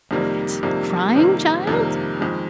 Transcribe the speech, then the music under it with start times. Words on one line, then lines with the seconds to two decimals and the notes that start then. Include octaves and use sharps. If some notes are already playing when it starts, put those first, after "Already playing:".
What! crying, child?
0.11 F2 C3 D#3 G3 A#3
0.63 F2 C3 D#3 G3 A#3
1.15 F2 C3 D#3 G3 A#3
1.67 F2 C3 D#3 G3 A#3
2.20 F2 D#3 G#3